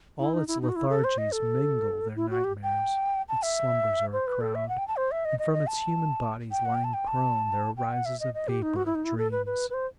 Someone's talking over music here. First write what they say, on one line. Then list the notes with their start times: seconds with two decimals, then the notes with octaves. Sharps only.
All its lethargies mingle their nightmares, its slumbers are a crowd, and from its human bodies lying prone there arises a vapour of dreams.
0.19 E4
0.34 D#4
0.48 E4
0.62 D#4
0.69 F#4
0.76 E4
0.89 A4
1.04 C5
1.18 D#5
1.32 A4
2.16 E4
2.30 F#4
2.44 G4
2.63 G5
3.29 A5
3.43 E5
4.13 C5
4.27 B4
4.41 A4
4.55 E5
4.69 F#5
4.78 G5
4.88 A5
4.96 C5
5.11 E5
5.25 D#5
5.39 D#5
5.53 D#5
5.67 A5
6.51 G5
6.65 F#5
6.75 G5
6.84 A5
6.94 G5
7.07 A5
7.77 G5
7.92 F#5
8.05 E5
8.20 D#5
8.34 D#5
8.48 G4
8.62 D#4
8.76 F#4
8.86 E4
8.95 D#4
9.04 E4
9.18 A4
9.31 B4
9.46 B4
9.70 B4
9.74 C5